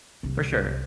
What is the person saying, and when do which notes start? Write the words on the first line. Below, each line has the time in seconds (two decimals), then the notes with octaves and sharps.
For sure.
0.23 C2 C4